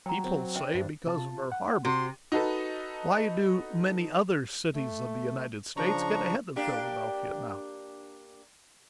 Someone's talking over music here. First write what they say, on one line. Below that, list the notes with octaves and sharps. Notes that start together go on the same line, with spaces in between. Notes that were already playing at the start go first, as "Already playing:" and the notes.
People say, "Because of her harbor." Why do many other cities of the United States get ahead of Philadelphia now?
F#3 G5 A#5
C4
D4 C5 E5 G5
G2
C3 F4 A5
F#5
C3 F#4 C6
D#4 F#4 A4 B4
A3
C#3 F3 D4 A#5 C#6
A#3 D4 G4